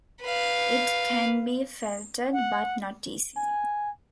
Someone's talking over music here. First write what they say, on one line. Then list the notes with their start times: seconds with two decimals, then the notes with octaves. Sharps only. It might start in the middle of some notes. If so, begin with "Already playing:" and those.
It can be felted, but not easily.
0.22 B4 F5
2.33 F#5
3.37 G#5